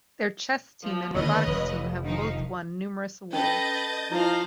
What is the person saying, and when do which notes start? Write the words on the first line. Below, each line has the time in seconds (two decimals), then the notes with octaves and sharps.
Their chess team and robotics team have both won numerous awards.
0.84 F3
1.15 D#2 D3 B4 C#5 D#5
1.47 F1
2.03 D#3 F3 D#4
3.33 C#4 A4 B4 D#5 G6 A6
4.12 F3 E4 C5 F5